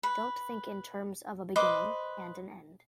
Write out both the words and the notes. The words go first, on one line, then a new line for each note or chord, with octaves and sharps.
Don't think in terms of a beginning and an end.
B4
B4 C5 D#5 D6